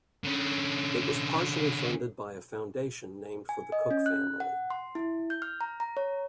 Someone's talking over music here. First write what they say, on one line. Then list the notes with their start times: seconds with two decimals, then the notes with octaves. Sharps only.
It was partially funded by a foundation named for the Cooke Family.
0.24 D3 C#4
3.49 G#5
3.72 D#5
3.91 C#4
4.06 F#6
4.40 F#5
4.70 C6
4.95 E4
5.30 G6
5.42 F6
5.61 A#5
5.80 A#5
5.97 C#5